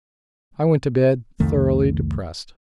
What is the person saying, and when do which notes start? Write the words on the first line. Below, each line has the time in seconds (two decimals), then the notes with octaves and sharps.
I went to bed thoroughly depressed.
1.40 C2 F2 D#3 A3